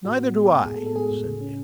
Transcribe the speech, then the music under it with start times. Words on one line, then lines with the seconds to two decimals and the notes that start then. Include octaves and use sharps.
"Neither do I," said Bince.
0.05 A2 F#4
0.20 B3
0.35 G#3
0.50 A2
0.66 A2 G#4
0.76 A4
0.81 B3
0.86 A4
0.96 G#3 G#4
1.11 A2
1.26 C#3
1.41 C#4